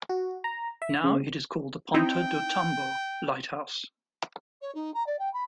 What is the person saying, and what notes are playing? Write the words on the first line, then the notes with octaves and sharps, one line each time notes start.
Now it is called the Ponta do Tumbo Lighthouse.
F#4
A#5
E5
C#3
C4 D#4 E4 G5
C#5
D#4
A#5
D5
G5
B5